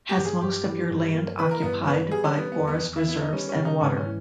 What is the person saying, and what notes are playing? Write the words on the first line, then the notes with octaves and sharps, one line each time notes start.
Has most of your land occupied by forest reserves and water.
G4
G2
G#4
G2 G4
E3
G2
A#3
E3 B4
A#4
G2 B3
B3 B4
G3 G#4
C#4
G3 B3
B3
E2
B3
E2
E4
B3 E4
D#4
G3 C#4
C#4
C#3
D#4
G#2 B3
C#4
E3